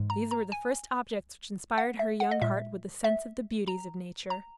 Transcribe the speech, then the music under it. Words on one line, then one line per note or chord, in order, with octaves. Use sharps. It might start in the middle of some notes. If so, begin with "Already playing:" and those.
These were the first objects which inspired her young heart with a sense of the beauties of nature.
Already playing: G#2 E3 G#3
A#5
A#5
G#5
F#5
E5
F#5
D#5
A#2 G#3 E5
E5
A#5
A#5